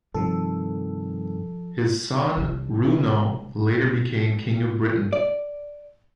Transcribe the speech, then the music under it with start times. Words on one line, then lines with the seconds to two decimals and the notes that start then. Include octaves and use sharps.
His son Runo later became king of Britain.
0.14 G2 C3 D#3 F3 A4
2.37 C2 D3
5.13 D5